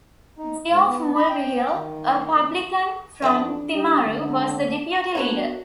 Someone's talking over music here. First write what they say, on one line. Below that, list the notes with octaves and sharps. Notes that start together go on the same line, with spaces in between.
Geoff Mulvihill, a publican from Timaru, was the deputy leader.
D#4
G#2
B3
B5
G5
D#3
F2 E3 D4 B4 E5
G3 G4
C#2 D3
B3 C4 D4 F#4 A#4 B4 C#5